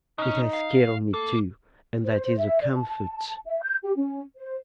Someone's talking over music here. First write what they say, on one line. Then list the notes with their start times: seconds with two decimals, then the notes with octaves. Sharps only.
"It has killed me too, and that is a comfort."
0.18 B2 C#4 D#4
0.53 F5
1.14 A#3 A4
2.05 C5
2.38 E5
2.61 D5
2.75 A5
3.46 E5
3.62 G6
3.84 G4
3.96 C#4
4.37 C5